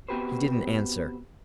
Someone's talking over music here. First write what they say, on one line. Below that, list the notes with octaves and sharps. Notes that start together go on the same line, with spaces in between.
He didn't answer.
B3 C4 F#4 G4 B4 C5